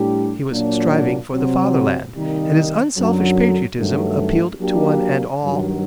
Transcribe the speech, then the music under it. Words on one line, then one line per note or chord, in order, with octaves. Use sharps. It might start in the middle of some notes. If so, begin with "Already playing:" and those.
He was striving for the Fatherland, and his unselfish patriotism appealed to one and all.
Already playing: A2 G3 D4 G4
A#2 F#3 A#3 D4
C3 F#3 C4
C3 D#3 G3 A#3 D#4
F#2 D3 F#3
G2 D#3 F#3 A3
F#3 A#3 D4 G4
G2 D#3 F#3